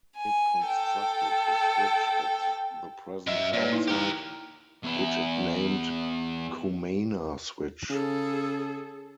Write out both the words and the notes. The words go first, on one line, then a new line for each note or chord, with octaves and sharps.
It constructed a switch at the present townsite, which it named Comana Switch.
G#5
A4 G5
F#2 D#5 E5
A#2 B4 C#5 D5
D#4 E4
G4 A#4
E2 E4
C#3 G#4 A4